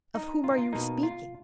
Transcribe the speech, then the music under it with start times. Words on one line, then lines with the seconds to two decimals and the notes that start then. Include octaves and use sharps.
Of whom are you speaking?
0.15 D#4
0.44 F4
0.51 D#4
0.58 F4
0.73 B2 A#3 D#4
1.03 F4